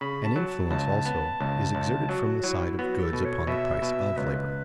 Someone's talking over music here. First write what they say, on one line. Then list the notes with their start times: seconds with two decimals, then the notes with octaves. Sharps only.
An influence also is exerted from the side of goods upon the price of labor.
0.01 C#3 B5
0.24 A5
0.36 F#3
0.48 A5
0.70 C#2 A5
1.05 B3
1.40 C#2
1.75 C#2
2.09 F#3 F#4
2.44 F#3 E4
2.78 B3 F#4
3.02 A4
3.13 B2
3.25 C#5
3.47 B2 E5
3.82 B2
4.17 C#2 B4